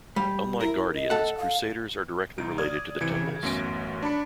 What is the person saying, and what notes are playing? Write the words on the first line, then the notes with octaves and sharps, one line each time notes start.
Unlike guardians, Crusaders are directly related to the temples.
G3
E4 A#4
D#5
A4 F#5
F5
C2 D#4 D7
D5 D#6 F6 G#6
C3 E3 G#6 C#7 D7
C#3
A1 F#2 B3 C#4 A#6 D7
D4 A5 B5 C#7